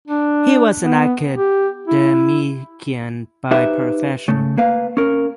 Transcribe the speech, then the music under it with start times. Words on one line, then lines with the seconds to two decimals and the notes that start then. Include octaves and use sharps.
He was an academician by profession.
0.08 D4
0.79 B3
1.35 G4
1.88 E4
3.51 D#4 G4 B4 C5 E5
4.28 C#3 A3
4.57 A#3 B4 F5
4.97 C#4 A#4